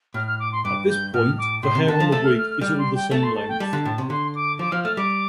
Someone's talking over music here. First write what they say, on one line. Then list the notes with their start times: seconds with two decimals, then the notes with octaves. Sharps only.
At this point, the hair on the wig is all the same length.
0.14 A2 F6
0.27 F6
0.40 D6
0.52 C6
0.64 G2 D6
0.89 G6
1.14 A2 F6
1.38 D6
1.63 A2 C6
1.75 C3
1.87 D3 A5
2.00 F3
2.12 A3 A5
2.24 F6
2.37 F6
2.50 F6
2.61 G3 F6
2.79 C6
2.95 G5
3.11 A3 A5
3.23 C6
3.36 A5
3.49 G5
3.60 G3 A5
3.73 D3
3.85 A2
3.98 C3
4.10 D3 C6
4.35 D6
4.59 F3 D6
4.72 F3 F6
4.84 A3 F6
4.97 G3 D6